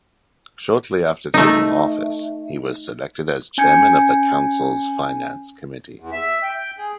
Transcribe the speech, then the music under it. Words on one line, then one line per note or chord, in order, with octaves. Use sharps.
Shortly after taking office, he was selected as Chairman of the Council's Finance Committee.
A3 D#4
C#4 G#5 G6 G#6 C#7
E2
E5
G5
G#4